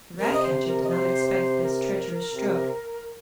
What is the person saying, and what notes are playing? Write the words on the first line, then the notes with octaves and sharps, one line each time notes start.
The ratcatcher did not expect this treacherous stroke.
C3 A#4
D#5
C5
A#4
D#5
C5
C5
A#4
C3